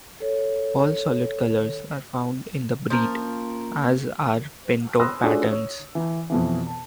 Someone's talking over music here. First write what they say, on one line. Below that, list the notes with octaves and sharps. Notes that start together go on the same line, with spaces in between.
All solid colors are found in the breed, as are pinto patterns.
A4 C#5
F3 A#3 C#4 A#4
B5 C6 D#6 E6 F#6 A#6
A3 C#4 D4 F4 F#4 G#4
C#5
E3
F2 B2 E3
A5